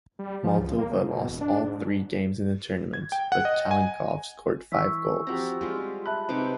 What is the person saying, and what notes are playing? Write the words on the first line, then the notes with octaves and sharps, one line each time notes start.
Moldova lost all three games in the tournament, but Calincov scored five goals.
G3
F3
C#2
A#3
C#3
B2
E1
D4
G#2
G#6
G5
F#5
D#5
G#5
E3 C#6 E6 B6
F3 C4 F#4 G4 A#5
G3 G#3 F4
E5 A5 B5 F#6
C3 C4 D#4 B4 D6